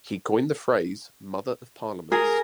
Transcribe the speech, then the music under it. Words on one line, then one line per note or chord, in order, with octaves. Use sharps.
He coined the phrase Mother of Parliaments.
G#4 A#4